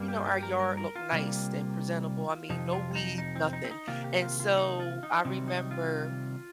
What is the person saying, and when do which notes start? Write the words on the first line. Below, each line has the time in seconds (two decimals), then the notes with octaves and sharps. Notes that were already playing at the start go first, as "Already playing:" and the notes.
you know, our yard looked nice and presentable. I mean, no weeds, nothing, and so, I remember,
Already playing: G2 G3 A#3
0.08 G4
0.25 G4
0.43 A#4
0.60 A#4
0.77 A#4
0.96 F4
1.12 C3 G3 A#3
2.50 F2 C3 F3 D#4
2.73 F4
2.95 D#4
3.18 D#4
3.36 C4
3.53 D#4
3.65 C4
3.71 D#4
3.88 C3 D#3 A#3 F4
4.04 G4
4.22 F4
4.40 F4
4.56 D#4
4.80 F4
5.03 D#4
5.25 C3 D#3 G3 C4
5.48 D#4
5.71 F4